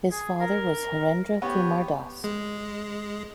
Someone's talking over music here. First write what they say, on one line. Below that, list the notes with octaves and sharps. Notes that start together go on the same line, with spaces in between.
His father was Harendra Kumar Das.
G#4
A#4
B3 G4 C#5
G#3